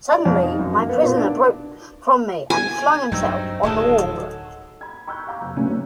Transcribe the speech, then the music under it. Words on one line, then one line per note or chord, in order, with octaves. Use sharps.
Suddenly my prisoner broke from me and flung himself on the wall.
D5
F2
D#4
F#2
A#3
B3
A#2
D4
G#5
G2 F#3 A3 C4 D#4
D1 D#3 F#3 G#3 A4
B5 G#6
B5 C#6 E6 F#6 G6
F5 A#5 D6 E6
F#1
D3 F#3 A3 B3 C#4
C#5